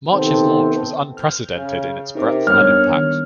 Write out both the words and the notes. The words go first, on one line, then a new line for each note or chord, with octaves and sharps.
March's launch was unprecedented in its breadth and impact.
C3 D#3 B3 C4 A4
F6 G6
C#3
C3 D#4 A#4 D6
G3 B3 D4 C#5 F6
D#3